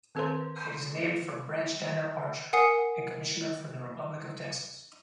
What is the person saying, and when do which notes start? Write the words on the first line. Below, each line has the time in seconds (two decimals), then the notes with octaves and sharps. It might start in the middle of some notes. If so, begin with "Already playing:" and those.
It is named for Branch Tanner Archer, a commissioner for the Republic of Texas.
0.15 D#3 C4 A4 B4 C5 C6
2.53 A#4 F#5 G#5 D#6 C7 C#7